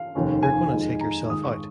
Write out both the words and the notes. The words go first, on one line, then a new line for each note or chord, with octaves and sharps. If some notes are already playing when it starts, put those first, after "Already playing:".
You're gonna take yourself out.
Already playing: F5
F1 D#2 D#3 C#4
G#5
F2 D#3 G#3 D#4
A#5
G#1 G#2 D#3 G#3 D#4 D#6
C#6